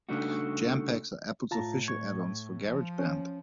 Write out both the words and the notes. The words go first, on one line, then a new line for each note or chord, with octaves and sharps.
Jam Packs are Apple's official add-ons for GarageBand.
C#3 G3 A3 D4 D#4 F#4
A2 F4 A5 A#5
C#6 G#6
F3
C#4